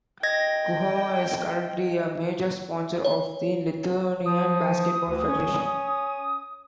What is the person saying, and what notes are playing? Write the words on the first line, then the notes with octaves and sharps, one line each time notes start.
Guoga is currently a major sponsor of the Lithuanian Basketball Federation.
D#5 G5 G#6 A#6
C#5
F3 D#6
D2
C#4